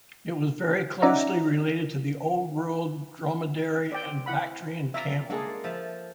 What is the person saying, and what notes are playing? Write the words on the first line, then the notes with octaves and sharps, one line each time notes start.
It was very closely related to the Old World Dromedary and Bactrian camel.
C#4 D#4 D5 E5 F#5 A#5
C4 D5 G5
E4 F#5 B5
F4 D5 E5 A#5
G#3 A#3 D4 G#4 A4
F3 E5 A5